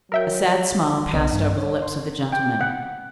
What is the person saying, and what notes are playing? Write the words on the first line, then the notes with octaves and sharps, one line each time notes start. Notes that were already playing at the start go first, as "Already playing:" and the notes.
A sad smile passed over the lips of the gentleman.
F#3 A#4 E5 G5
B1 C#3 B3 D4 D5 D#5
G2
C#5
C6
G5
F#5